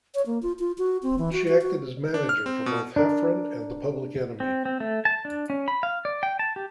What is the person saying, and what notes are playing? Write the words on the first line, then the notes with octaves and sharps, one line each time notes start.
She acted as manager for both Heffron and The Public Enemy.
C#5
A#3
F4
F4
F#4
C4
E3
F#4
F#4
F#4
D4
F6
C4
B2
D4 A#4
C4
C4
A3
A5
D4
C#4
B5
F5
D5
G5
A5
G4